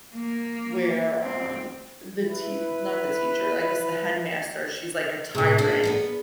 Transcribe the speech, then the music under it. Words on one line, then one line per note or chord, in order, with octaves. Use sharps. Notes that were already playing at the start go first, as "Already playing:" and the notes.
where, um, the tea not the teacher, I guess the headmaster, she's like a tyrant,
A#3
C4
E4 B4
A2 C3 G#4
A#3 D4 E4
B3 A4 B4